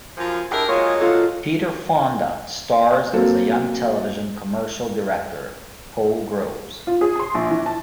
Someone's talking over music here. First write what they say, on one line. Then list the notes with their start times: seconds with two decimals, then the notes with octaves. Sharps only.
Peter Fonda stars as a young television commercial director, Paul Groves.
0.17 F#2 F3 G#5
0.51 D4 E4 G4 G#4 A#4
0.68 A#2 F#3 G#3 F4 G#4 C#5
1.01 F4 A4 F#5
3.13 F#3 A#3 C4 A4
6.87 F4
7.01 G#4
7.20 C6
7.34 A#1
7.50 E3
7.66 A5